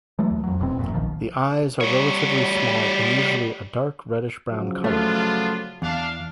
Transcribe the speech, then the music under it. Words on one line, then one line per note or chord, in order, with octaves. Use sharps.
The eyes are relatively small and usually a dark reddish-brown color.
E3 F#3 G#3 A3
D#2
F2 F#3
D1 E2 B2 C4
D#1 A1 F#2 A#2
D#1 A#1 D#3 F3
G3 C#5
C#3 F3 F#3
A3 B3 D4 F4
E2 D4 F5